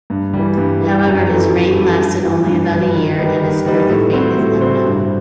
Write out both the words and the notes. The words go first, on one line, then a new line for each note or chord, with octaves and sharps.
However, his reign lasted only about a year and his further fate is unknown.
G2
E3 G3
G2
E3 G3
F#2
E3 B3 F#4 A4
F#2
E3 B3 F#4 A4
G2
E3 B3
G2
E3 B3
D#3
G3 B3 D#4 G4
D#3
G3 B3 D#4 G4
A2
G3 C4 F#4 C5
A2
G3 C4 F#4 C5
G2